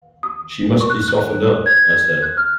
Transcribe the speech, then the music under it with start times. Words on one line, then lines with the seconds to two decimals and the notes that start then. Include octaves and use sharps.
"She must be softened up," I said.
0.23 D#6
0.81 C#6
0.90 F#6
1.08 F#6
1.66 G#6
2.22 F#6
2.37 F6